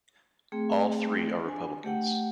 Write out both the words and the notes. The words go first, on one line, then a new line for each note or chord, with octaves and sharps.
All three are Republicans.
A3 C4 G#4 G5
D4 G#5
A3 G4 F#5 G5